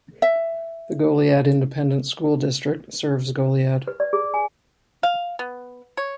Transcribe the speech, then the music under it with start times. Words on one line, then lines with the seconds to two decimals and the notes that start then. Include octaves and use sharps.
The Goliad Independent School District serves Goliad.
0.22 E5
3.87 B4
4.00 D5
4.13 G#4
4.34 G#5
5.03 F5
5.39 B3
5.97 C#5